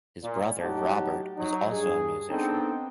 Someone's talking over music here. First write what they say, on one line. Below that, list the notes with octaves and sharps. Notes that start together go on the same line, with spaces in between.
His brother, Robert, is also a musician.
A#2
A2 F#3 D#4 G4 F#5 A5
F#3 D#4
G2 G#4
B3 C4 D4 D#4 A4 G5